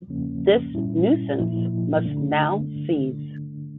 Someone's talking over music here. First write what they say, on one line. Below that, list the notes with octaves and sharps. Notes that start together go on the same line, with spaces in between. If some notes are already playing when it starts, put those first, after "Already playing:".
This nuisance must now cease.
E2 C#3 F3 A#3 C#4
A#2 G3 C#4 E4
A#2 F3 A#3 E4
D3 A3 D4